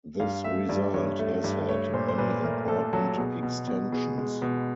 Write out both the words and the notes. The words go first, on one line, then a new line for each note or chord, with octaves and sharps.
This result has had many important extensions.
G2 F5
A3 E5
G2 D5
G2 C#5
A3
G2
A3 C#5
A#2 C5
C5
A#2 B4
A3 A#4
A3 A4
F#3 A4
B2 G#4
B2
B2
B2 G#4
G#3
B2